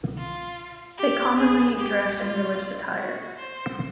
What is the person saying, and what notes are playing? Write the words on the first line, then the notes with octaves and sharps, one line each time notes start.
They commonly dress in religious attire.
F4
G4
G#4
G4
F4
F#4
C5